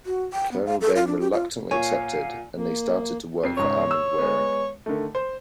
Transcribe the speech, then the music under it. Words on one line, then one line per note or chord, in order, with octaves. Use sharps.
Colonel Dane reluctantly accepted and they started to work for Armand Waering.
F#4
G5
B3
F5
A4
F4
D4
G4
F4
A#2 C#5 F5 F#5 G#5
A#3
F2 C7
C#2 G#2 C#5
E6
G#3 B3
D3 D#3 A3
C5